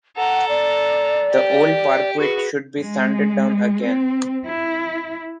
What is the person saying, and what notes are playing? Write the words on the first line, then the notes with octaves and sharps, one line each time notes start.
The old parquet should be sanded down again.
A4 F#5 A#5
D5
G4
F#4 G#4 B4
G#3
C4
E4